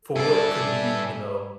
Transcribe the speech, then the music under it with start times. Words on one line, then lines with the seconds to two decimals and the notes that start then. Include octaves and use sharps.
for what could be, you know,
0.16 G2 A4 D5 E5 G#5